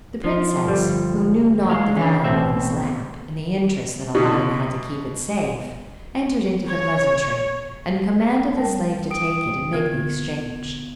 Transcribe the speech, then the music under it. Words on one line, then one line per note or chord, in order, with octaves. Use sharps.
The princess, who knew not the value of this lamp, and the interest that Aladdin had to keep it safe, entered into the pleasantry, and commanded a slave to take it and make the exchange.
F3
G1 G3
G#3 F5
D3 E3 C#4
A1 B2 C4 E5
B2
C#5
G3 A#4 A5
G5 D#6 D7
D3 B3 F4 A#4 G#6